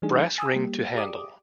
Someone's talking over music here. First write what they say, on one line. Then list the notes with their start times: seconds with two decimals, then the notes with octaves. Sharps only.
Brass ring to handle.
0.02 E3 G3 A3 D4 D#4 G#4
0.25 A6
0.38 G#5 D#6 E6
0.54 G3 A#3 G4
0.95 G4 G#4 D5 D6 D#6